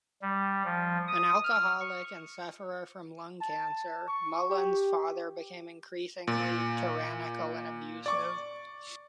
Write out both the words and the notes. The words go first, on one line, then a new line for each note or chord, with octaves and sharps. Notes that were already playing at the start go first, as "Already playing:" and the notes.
An alcoholic and sufferer from lung cancer, Mullan's father became increasingly tyrannical and abusive.
G3
F3
D#6
F6
C#6
A5
C#6
G4
A#2
D5 C#6 D6